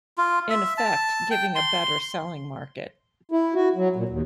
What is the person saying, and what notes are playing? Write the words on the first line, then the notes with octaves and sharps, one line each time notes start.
In effect, giving a better selling market.
F4
E5
A5
G5
C6
E4
F#4
F#3
A#2
D#2